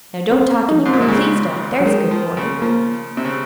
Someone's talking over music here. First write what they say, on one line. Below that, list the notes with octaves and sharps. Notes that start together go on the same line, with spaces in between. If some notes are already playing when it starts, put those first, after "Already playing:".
Now don't talk any more--please don't; there's a good boy.
C4
D#4
C#4
G#2
A#2 C4
C3 A#3
C#3 G#3
F#3
D#3 G#3
F3
C#3
F3 A#3
C3
C#3